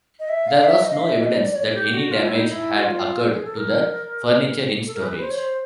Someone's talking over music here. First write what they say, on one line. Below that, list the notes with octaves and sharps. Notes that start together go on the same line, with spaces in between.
There was no evidence that any damage had occurred to the furniture in storage.
D#5
E5
F5
E5
D#5
F5
E5
D#5
D5
D5
C#5
G4
F#4
F4
E4
D#4
E4
F#4
F4
G#4
A4
A#4
A4
A#4
B4
C5
C#5
C5